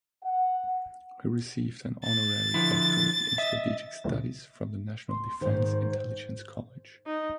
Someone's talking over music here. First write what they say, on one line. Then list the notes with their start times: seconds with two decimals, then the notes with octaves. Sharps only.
He received an honorary doctorate in strategic studies from the National Defense Intelligence College.
0.23 F#5
2.04 A6
2.54 D3 F3 E4
3.38 D#5 E5
5.10 C6
5.41 G#2 D#3 C5
7.06 D#4